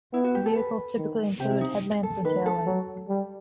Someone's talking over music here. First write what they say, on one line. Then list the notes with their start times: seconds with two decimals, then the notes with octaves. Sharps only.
Vehicles typically include headlamps and tail lights.
0.13 B3 E4
0.24 F#4
0.35 G4
0.46 A4
0.56 B4
0.98 D#3
1.40 C3 G4
1.50 E4
1.61 D#4
2.03 A4
2.24 D#3 B4
2.46 A4
2.66 F#3
3.09 G3